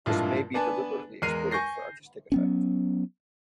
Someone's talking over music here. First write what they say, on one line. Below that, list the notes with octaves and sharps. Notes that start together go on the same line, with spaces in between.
This may be deliberately exploited for artistic effect.
G2 A#2 F3 G#3 E4 F4
B3 D4 B4 G#5 A5
E2 G#3 A#4 F6 C7 D#7
G#5 C#6 G6 A#6 C7
F#3 B3 C#4